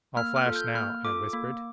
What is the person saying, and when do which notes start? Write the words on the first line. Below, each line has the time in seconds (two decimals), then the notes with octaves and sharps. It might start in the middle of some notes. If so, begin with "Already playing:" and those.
"I'll flash now," I whispered.
0.16 A#3 F6
0.36 F6
0.45 F4 A4
0.56 G6
0.75 A#3 F6
1.05 F4 A4 D6
1.33 A#3